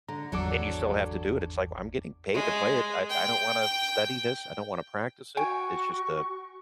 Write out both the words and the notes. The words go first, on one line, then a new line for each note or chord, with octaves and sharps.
And you still have to do it. It's like, "I'm getting paid to play it. I I don't wanna study this. I don't wanna practice it." It's just a
D3 A#5
G#1 E2 F#3 D4 A4 D6
G#3
G5
F#4 G5 G#5 C#6